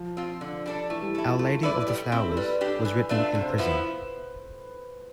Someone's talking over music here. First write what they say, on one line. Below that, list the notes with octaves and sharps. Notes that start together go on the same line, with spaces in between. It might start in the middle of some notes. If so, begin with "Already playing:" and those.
"Our Lady of the Flowers" was written in prison.
Already playing: F3
C4 F4
D3
G3 D4 A4
E3 A3
G3
E4 A4
F4
A3 A4
E4 B4 D5
G3
C4 E4
A4
G3 B4
D4 G4
E3
A3 D4 F4
C3
C5
B4
F3 B3 E4 C5